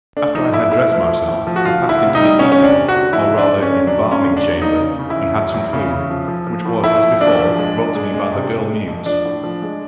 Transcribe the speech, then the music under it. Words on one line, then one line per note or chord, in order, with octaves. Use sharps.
After I had dressed myself I passed into the eating, or rather embalming chamber, and had some food, which was as before brought to me by the girl mutes.
A3 D4
F3 D#4
A1 E4
A3 E4
F3
F3
A2
F3
F#4
D2 F4
D2
E4
C3
D#4
G3
D2 C#4
C#4
C3
D4
C3
F#4
D2
F2 E4
F2
D4
F2
C#4
D3
F#3 D4
F#3
C#4
D3
D4
F#3
F#1 D#4
C#3
C#3
E4
E2
F#3
E2
C#3
C#3
F3
F3
F3
A2
A2 E4
F3
A#1 D4
F3
G#3
G#3
G#3
G#3
C3
C3
G#3
F2
F3 D4
A2
F3
G#3